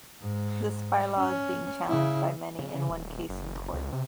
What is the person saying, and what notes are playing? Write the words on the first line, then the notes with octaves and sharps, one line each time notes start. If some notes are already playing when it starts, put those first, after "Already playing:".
This bylaw is being challenged by many, in one case in court.
G#2
C#4
C#3 E4
C#3
D#1
F#1
C#2
C3